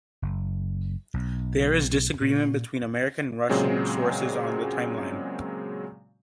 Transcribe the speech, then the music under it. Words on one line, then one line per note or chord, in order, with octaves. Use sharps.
There is disagreement between American and Russian sources on the timeline.
F#1
B1
A#2
A#2 C#3 F#3 G#3 C4